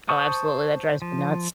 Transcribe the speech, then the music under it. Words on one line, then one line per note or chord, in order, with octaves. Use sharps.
Oh, absolutely. That drives me nuts.
C5 A5 C#6 D#6
F3